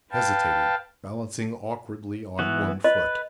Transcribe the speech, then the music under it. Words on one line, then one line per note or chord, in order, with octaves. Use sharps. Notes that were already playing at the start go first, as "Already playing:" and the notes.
He hesitated, balancing awkwardly on one foot.
B4 F5 G5 A5
E3 B3 F#4
B4 D#5